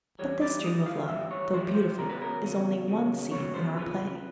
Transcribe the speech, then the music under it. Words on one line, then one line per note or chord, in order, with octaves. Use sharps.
But this dream of love, though beautiful, is only one scene in our play.
A2 E3 G3 C#5
D5
A2 E3 G3 D#5
F5
A2 E3 G3 E5
C#5
A2 E3 G3 C5
C5
E2 C#3 F#3 A#4
B4
A#4
E2 C#3 F#3
E2 C#3 F#3
E2 C#3 F#3 C#5
C5
F2 C#3 F3 B4